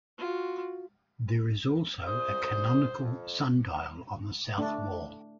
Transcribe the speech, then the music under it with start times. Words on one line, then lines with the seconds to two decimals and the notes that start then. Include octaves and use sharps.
There is also a canonical sundial on the south wall.
0.19 F4 F#4
2.07 C2 C5 D#6
3.02 F2
4.58 A3 D4